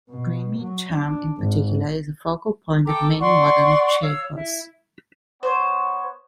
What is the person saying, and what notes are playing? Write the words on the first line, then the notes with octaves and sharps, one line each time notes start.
The Dramyin Cham in particular is a focal point of many modern tsechus.
B2
F#3
D4
G#1
A4 G5 A#5 D6
D5 F#5 C6 C#6
C#5 F5 E6
E4
B3 C5 C#5